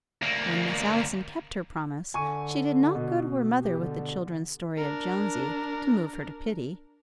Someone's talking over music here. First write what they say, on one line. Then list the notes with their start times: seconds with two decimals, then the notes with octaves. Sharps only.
When Miss Allison kept her promise she did not go to her mother with the children's story of Jonesy, to move her to pity.
0.22 D2 A#3
2.14 D3 G#5 C#6 D#7
2.95 B2
3.63 G4
3.80 D3
4.77 D4 A#4